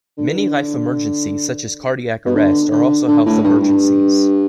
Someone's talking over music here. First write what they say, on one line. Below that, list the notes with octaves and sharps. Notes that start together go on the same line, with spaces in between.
Many life emergencies, such as cardiac arrest, are also health emergencies.
D3
E3
D3
B2
D3
D3
D3
A2
G2
G2